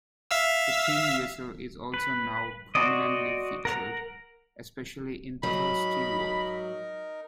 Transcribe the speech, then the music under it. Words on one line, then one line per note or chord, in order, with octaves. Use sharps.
The tin whistle is also now prominently featured, especially in Thirsty Work.
E5 F5 E6
B4
F#4 C5 D5 D#5
A#4 F#5 A#5
G#2 F#3 D#4 A#4 B5